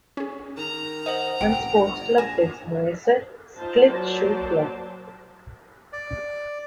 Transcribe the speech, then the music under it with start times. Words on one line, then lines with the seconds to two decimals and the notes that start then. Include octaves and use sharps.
One sports club is Neusser Schlittschuh-Klub.
0.17 C#4 G#4
0.57 D#3 A#5
1.06 C5 D#5 F#5 F#7
1.41 A1 C3 F#5 G5 D7
1.71 G1
2.18 A#1 G#5 A#6 E7
3.56 D#4 F4 C5 A5
3.90 F#3 A#3 C5 D5 A5
5.93 D5